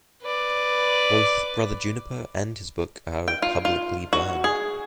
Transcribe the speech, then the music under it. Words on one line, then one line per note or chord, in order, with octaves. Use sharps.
Both Brother Juniper and his book are publicly burned.
B4 D5
G5
F4
F4
F#4
G#4